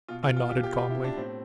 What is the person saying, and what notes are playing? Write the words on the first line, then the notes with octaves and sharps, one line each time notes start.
I nodded calmly.
B2 F4
F4
B2
F4
B2 G4
B2 G4
G4
B2
E4
B2 D4
A2 C4